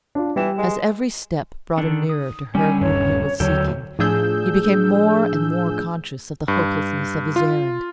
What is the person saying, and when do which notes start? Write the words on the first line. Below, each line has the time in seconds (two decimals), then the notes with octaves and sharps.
As every step brought him nearer to her whom he was seeking, he became more and more conscious of the hopelessness of his errand.
0.15 D4 F4
0.36 E3 G3 G5 E7
0.58 G#3
1.78 D3 D#3 D4
2.09 D#6
2.55 D3 G3 C#4 G#5
2.81 D#1 G2 C#5
3.40 D#2 D3 F#3 A4 C#5 G5
3.99 A2 F3 D4 G#4 E6 G6
6.48 G2
7.36 F4